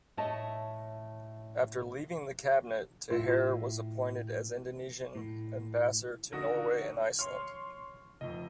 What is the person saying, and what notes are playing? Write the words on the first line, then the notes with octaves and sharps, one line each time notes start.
After leaving the cabinet, Taher was appointed as Indonesian ambassador to Norway and Iceland.
A2 A3 C#5 D#5 E5 A5
A2 F4 E5
F4
A2
D3 D#4 F#4 A#4 D#6 A#6
C#5 C6 C#6 F6
F1 F2 D#5